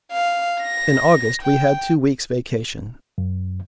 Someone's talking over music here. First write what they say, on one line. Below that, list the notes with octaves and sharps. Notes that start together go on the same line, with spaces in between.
In August we had two weeks' vacation.
F5
A#6
G5
F#2